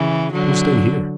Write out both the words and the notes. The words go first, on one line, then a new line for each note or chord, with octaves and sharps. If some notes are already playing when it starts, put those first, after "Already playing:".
We'll stay here.
Already playing: C#3 E3
D3 F#3